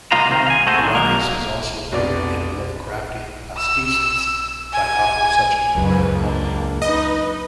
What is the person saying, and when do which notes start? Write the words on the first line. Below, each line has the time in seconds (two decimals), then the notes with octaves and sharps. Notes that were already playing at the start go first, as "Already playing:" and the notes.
Kuranes has also appeared in Lovecraftian pastiches by authors such as Brian Lumley.
0.12 C2 A#3 F4 D#5 F5 A#5
0.30 C3 D#3 C4 A#4
0.47 F5 G#5
0.67 A3 C4 F#4 G#4 A4 C5
0.82 D3 D#3
0.95 F#3 G#3 A#3 A#4
1.92 F1 B2 D5
3.57 E6
4.73 G#5
5.75 C#2 F#2 B4
6.16 A#3 D4
6.82 D#4 B4 D#5